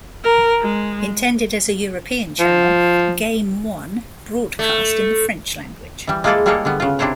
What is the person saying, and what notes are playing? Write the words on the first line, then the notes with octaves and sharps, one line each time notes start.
Intended as a European channel, Game One broadcast in the French language.
A#4
G#3
F3
A3
E3 G3
G#3 A#3 E4 F4 A4 D5
G3 G#3 A#3 G#4 A4 C#5
D3 G3 B3
C#3 F4
C3 D4 E4 C5 C#5